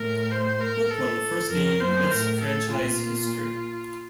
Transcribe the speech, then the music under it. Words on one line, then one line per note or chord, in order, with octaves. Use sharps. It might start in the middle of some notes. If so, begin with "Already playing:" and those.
Hook won the first game in Mets franchise history.
Already playing: A2 A#4
C5
A#4
A4
F2 A#4
F#2 C5
A2 A#4
A4
A#2 F4